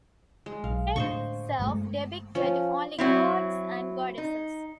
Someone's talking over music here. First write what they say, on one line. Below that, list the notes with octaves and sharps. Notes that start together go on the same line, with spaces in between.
The gate itself depicted only gods and goddesses.
G#3
B1 F5
A2 D3 C5 D#5 C#6
G1 G#3 A3
F3 C#4
F#3 C4 E4
D#4